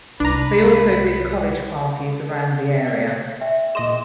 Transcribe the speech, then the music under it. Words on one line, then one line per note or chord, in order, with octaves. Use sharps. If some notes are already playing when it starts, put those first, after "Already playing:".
They also did college parties around the area.
C2 D4 B4 A#5
D5
E5 G5
A#2 G#4 D#5 C6 E7